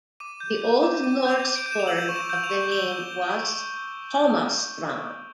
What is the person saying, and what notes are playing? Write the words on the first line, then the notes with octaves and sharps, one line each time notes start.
The Old Norse form of the name was "Holmastrand".
D6 D#7
G6
G6
D6
D6 D#7
G6
F7
D6
D7
G6 D#7
E7
F7
E6 F#7
C#6
E7
G6
F7
C#6
G6 G7
G6